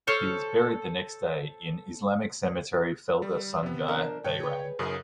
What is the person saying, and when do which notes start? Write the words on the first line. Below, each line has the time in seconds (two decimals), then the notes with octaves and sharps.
He was buried the next day in Islamic Cemetery Felda Sungai Behrang.
0.07 A4 C5 C#5 F6
3.22 G3
3.63 C3 B3
3.88 F3 D4 A#4
4.24 G2 C3 C#5 G5
4.40 G#4 B4
4.79 F#2 C#3 D#4 A#4 F#5 D#6